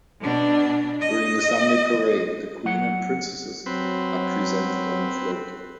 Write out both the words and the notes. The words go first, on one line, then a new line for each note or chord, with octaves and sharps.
During the Sunday parade, the queen and princesses are presented on a float.
B2 D4
D#5
F#3 F#5
F#3 C4 B4